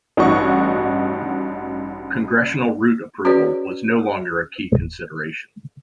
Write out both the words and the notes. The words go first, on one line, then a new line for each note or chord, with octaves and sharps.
Congressional route approval was no longer a key consideration.
A1 G2 D#4 F#4 C#6
C#4 F#4 G#4 B4 C#5 D5